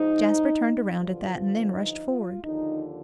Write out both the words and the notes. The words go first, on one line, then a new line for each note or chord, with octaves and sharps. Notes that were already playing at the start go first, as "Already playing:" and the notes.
Jasper turned around at that--and then rushed forward.
Already playing: G#2 F3 D#4
G2 D3 F3 F4
D#4
F4
D#2 D3 F3 D#4